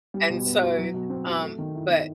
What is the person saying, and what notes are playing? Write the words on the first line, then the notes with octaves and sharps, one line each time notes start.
And so, um but
G3
B2
B3
F#4
F#3
B2
C4
F#4
A3
D#3
E4
D#3